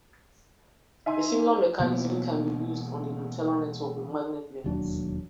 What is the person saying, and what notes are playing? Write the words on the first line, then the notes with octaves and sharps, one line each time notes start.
A similar mechanism can be use on the Gnutella network with magnet links.
D#4 E5 G#5 C6
B2 E3 A#3 B3
E1 D#2 F#3 D4